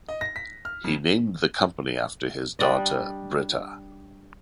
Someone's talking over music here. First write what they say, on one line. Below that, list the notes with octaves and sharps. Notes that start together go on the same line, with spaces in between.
He named the company after his daughter Brita.
D#5
A#6
B6
F6
F2
G3 D4 D5 D#5